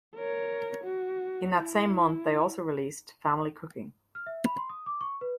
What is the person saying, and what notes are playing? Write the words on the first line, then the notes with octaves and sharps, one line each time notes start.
In that same month they also released "Family Cooking".
A#4 C#5
F#4
E4
F6
E5
B5
C6
D#6
D6
C#6
B4